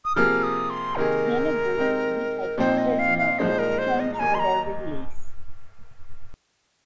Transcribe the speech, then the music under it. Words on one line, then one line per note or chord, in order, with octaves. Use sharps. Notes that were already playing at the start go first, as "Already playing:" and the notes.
Pen agrees to be taken prisoner in exchange for their release.
D#6
C3 F3 A#3 G#4 F6
D#6
C6
C3 D#3 A#3 G#4 A#4
C3 G#3 C4 D#4
A#2 F3 C4 D#4 C5
D#5
F5
F5
C2 A#2 F3 G#3 D#4 C5
A#4
C5
D#5
A#5
D#2 D#3 A#3 D#4 G#5
C6
A#5